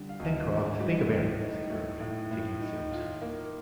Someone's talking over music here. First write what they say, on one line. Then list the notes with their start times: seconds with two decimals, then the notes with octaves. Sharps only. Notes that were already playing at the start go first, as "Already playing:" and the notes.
"Pencroft, think of Ayrton!" said Herbert, taking the sailor's hand.
Already playing: D3 G3 D4
0.09 F5
0.20 D2 D#5
0.50 D4
0.80 G3
1.10 A2
1.40 D#4
1.70 A3
2.00 A2
2.31 A2
2.61 D#4
2.91 F4
3.21 A#3